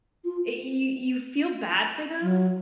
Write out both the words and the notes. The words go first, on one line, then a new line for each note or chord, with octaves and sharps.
y y you feel bad for them,
F4
F#3